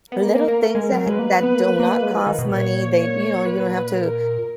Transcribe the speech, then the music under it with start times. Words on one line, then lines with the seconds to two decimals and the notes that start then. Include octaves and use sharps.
Little things that that do not cost money, they you know, you don't have to
0.12 B3 A#4
0.23 A#3
0.31 B3
0.35 A#3
0.48 A#3
0.75 G#3
0.92 F#3
1.07 G#3 B4
1.19 A#3
1.43 B3
1.55 A#3
1.80 A#3
2.03 G#3
2.11 F#3
2.15 F3
2.27 D#3
2.39 B2
2.51 A#2 C#5
2.98 C#5
3.46 B4
3.94 A#4